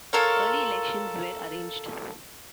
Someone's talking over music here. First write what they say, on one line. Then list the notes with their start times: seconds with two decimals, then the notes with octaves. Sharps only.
Early elections were arranged.
0.13 F4 A4 A#4 C#5